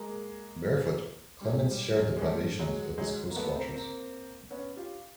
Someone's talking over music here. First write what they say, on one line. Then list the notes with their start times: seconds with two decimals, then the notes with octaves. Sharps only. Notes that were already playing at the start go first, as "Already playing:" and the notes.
Barefoot, Clemens shared the privations of his coastwatchers.
Already playing: G#3 A#3
1.41 G3
1.44 F#3 G#3
1.71 G3
1.95 F#3 G#3
2.16 G#3
2.21 G3 A3
2.59 F#3 G#3
2.98 F#3 G#3
3.30 A#3
3.36 A3 B3
3.55 A#3 C4
3.74 A#3 C4
4.51 B3 C#4
4.76 F4 G4